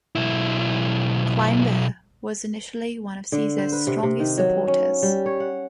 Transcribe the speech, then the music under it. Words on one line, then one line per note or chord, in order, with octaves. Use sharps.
Cimber was initially one of Caesar's strongest supporters.
B1 E4
D3
C5
B4
C3
C3
D#3
F#3
C#4
G3
C#5
F#5